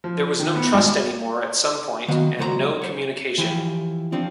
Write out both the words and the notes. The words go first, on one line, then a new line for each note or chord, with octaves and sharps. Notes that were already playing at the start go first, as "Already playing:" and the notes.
There was no trust anymore at some point and no communication.
F3
D#3
B3
G#1
D#3 F#3 B3 F5
C#2 F#3 C5 C#5 A#5
C5 C#5
E3 F3 E4 G4
F3 C4 D4